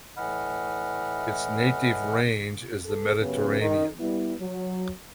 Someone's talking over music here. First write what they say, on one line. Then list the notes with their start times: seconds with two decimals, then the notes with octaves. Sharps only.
Its native range is the Mediterranean.
0.17 A2 E3 D#5 F#5 B5 F6
2.86 A4
3.20 F#2 C#3 B3 C#4 G4 B4
3.60 D#3
3.99 G3 B3 E4
4.39 F#3